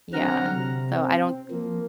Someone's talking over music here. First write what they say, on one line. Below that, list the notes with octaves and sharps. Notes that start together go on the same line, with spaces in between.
Yeah. So I don't
D3 F#3 C4 F#5 A#5 F6
C3
C4
F3 A#3